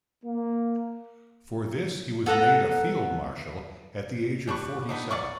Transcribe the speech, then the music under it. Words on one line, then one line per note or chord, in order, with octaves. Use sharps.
For this he was made a Field Marshal at the age of forty-seven.
A#3
B3 A4 F#5 A#5
G3 D4 B4 C#6
D#3 B3 D4 D#4
F#3 D5 C#6